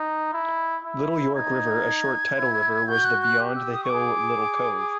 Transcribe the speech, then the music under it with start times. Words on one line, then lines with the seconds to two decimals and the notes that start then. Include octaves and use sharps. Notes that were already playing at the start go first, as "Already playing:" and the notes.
Little York River, a short tidal river, was the Beyond-the-hill-little-cove.
Already playing: D#4
0.33 E4
0.85 E4
1.35 D#4 G#6
2.38 E4
2.88 F#4 G6
3.05 F#6
3.22 F#6
3.39 G4
3.56 E6
3.73 D#6
3.84 C#6
3.89 G#4 D6